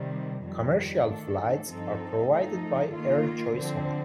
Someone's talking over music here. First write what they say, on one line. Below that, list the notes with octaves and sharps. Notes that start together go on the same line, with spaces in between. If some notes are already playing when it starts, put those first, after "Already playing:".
Commercial flights are provided by Air Choice One.
Already playing: C3 D#3 G3
F2 D#3 G3
D#3 A3 D4 A4
G2 F3 C4 D#4 A4
F3 A3 D#4 A4
D#3 A#3 F4
D3 F3 C4